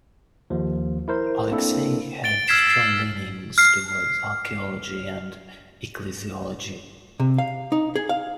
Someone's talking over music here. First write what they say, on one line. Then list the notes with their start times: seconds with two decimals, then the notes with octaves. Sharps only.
Alexei had strong leanings towards archaeology and ecclesiology.
0.50 D#2 F3
1.08 E4 A#4 C5
1.51 A#3 C4 D4 E4 A4
2.24 A6 D7 G7
2.48 E6 F6 G#6 B6 C7 E7
2.67 A6 C7
3.58 F6 C7
7.20 C3
7.38 F5
7.72 D#4
7.96 G#4
8.09 F5